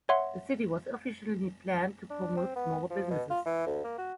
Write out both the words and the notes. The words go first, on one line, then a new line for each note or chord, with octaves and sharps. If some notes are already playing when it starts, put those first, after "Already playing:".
The city was officially planned to promote small businesses.
C#5 E5 F#5 C6
D4
C4
B3
F3
B2
F4
E3
D2
A#3
F#4